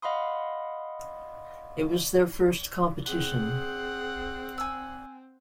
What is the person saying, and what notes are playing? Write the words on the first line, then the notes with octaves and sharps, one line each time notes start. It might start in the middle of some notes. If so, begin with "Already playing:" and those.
It was their first competition.
D#5 F5 F#5 B5 C6 D#6
C4 G#4 F#5
G#5 E6